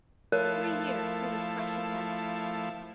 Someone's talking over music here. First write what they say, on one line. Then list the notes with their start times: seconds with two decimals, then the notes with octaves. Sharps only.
Three years for this fresh attempt.
0.32 F3 A3 E4 A#4